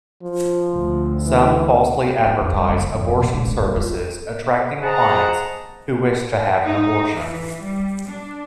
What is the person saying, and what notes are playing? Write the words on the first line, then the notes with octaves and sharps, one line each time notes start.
Some falsely advertise abortion services, attracting clients who wish to have an abortion.
F3
D2
E3
F4
F2
G3
F#1
D3
F2
C4
A#2
G#3
D4
G2
F4
G#4 C5 D#5 F#5 A5 A#5
D#4
E3
G3
D4